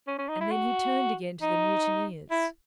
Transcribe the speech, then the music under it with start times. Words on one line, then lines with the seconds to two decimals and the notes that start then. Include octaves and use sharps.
And then he turned again to the mutineers.
0.07 C#4
0.19 C#4
0.29 D#4
0.40 E4
0.51 F#4
1.42 D#4
2.31 E4